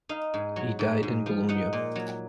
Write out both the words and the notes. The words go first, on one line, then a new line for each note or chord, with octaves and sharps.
He died in Bologna.
D#4 F5
G#2
F#3
G#2
G#2
F3
D#4 F#5
A#2
F#3